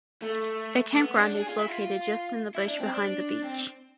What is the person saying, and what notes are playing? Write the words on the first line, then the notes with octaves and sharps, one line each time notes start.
A campground is located just in the bush behind the beach.
A3
A3
B3
C4
D4
G#4
F4
E4
F4
E4
D4
C4
D4
C4